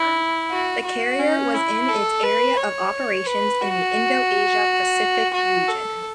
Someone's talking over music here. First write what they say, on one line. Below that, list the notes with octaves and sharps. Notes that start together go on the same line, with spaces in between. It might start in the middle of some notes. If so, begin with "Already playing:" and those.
The carrier was in its area of operations in the Indo-Asia-Pacific region.
Already playing: E4
F#4
F#4
C#4
E4
A4
B4
C#5
B4
F#4
F#4
A4